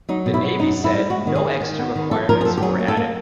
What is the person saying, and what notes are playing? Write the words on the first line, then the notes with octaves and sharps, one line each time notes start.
The Navy said no extra requirements were added.
F#3 D#4
B2
E4
F#3
F#2 D#4
F#2
E4
G3
G#3 F#4
D#3
G#4
D#3
D#3
B3
D#3
F3 A4
F3 A#4
G#4
F#2 A4
G4
F#3 G#4
A#3
A4
A#3